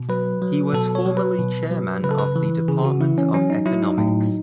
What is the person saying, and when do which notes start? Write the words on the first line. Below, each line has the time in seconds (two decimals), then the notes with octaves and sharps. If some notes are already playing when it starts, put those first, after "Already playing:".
He was formerly chairman of the department of economics.
Already playing: B2
0.09 F#3 B4
0.42 F#3
0.73 B2 A4
0.95 C#5
1.06 F#3
1.17 B4
1.39 B2
1.71 F#3
2.03 C#3 B4
2.11 A4
2.19 B4
2.36 E3
2.68 C#3 G#4
2.85 F#4
3.01 E3 E4
3.18 C#4
3.33 F#3 C#4
3.50 D#4
3.66 F#3 E4
3.83 D#4
3.98 A2